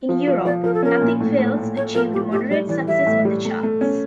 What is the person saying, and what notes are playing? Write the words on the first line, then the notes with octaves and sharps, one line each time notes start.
In Europe, "Nothing Fails" achieved moderate success on the charts.
F3
F3
F3 D5
F3 A#4
A4
C#4 A#4
A#2
A2
A2
A2
A3 C#5
F3 A#4
A2 G4
A2 G4
G3 D5
E3 D5
G3 E5
A2
G3
A3
A3
C#4